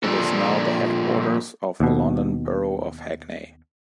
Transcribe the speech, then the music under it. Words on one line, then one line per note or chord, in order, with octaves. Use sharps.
It is now the headquarters of the London Borough of Hackney.
A#2 F3 G3 D4 A4
D#2 B2